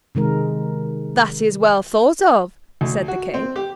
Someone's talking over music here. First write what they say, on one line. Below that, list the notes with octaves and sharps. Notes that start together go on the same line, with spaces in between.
"That is well thought of," said the King.
C3 D#3 G#3 A#4
D2
F#4
C4
G4